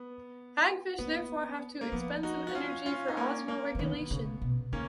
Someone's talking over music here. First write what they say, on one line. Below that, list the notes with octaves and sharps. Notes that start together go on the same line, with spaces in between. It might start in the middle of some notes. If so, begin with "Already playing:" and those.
Hagfish therefore have to expend some energy for osmoregulation.
Already playing: B3
A#3 B3
A#3
F3 B3
D#4 F#4
F#4
C#4 F4
C#4 F4
D#4
A#3 C#4
A#3
F3
D#3 B3
C#3
B2
C#3 A#3 C#4